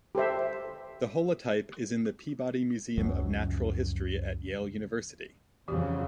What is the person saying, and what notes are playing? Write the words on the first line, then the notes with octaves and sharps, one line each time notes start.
The holotype is in the Peabody Museum of Natural History at Yale University.
G4 A4 C5 E5
C#2 F#2 F3 F#3
F2 C#3 E3 F#3 G4